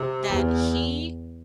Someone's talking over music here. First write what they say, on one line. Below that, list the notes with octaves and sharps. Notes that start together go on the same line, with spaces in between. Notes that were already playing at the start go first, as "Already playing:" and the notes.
that he,
Already playing: C3
E2